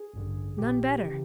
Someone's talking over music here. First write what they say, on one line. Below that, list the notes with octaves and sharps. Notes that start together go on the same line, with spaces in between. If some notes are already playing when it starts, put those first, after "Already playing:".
"None better."
Already playing: G#4
A1 G2 D3
A#1 A#2 G4
C#3 E3